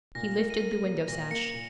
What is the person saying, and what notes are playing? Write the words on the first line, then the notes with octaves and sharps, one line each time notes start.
He lifted the window-sash.
A#2 A#6
A#4
D#7
A#4
A#3
A#2 A#6
A#3 C#7
A#2